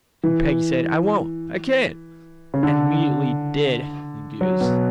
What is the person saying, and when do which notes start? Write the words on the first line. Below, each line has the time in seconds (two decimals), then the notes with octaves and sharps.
And Peggy said, "I won't--I can't," and immediately did, the goose.
0.24 E3
2.54 C#3
2.63 D3
4.41 F#3
4.61 B2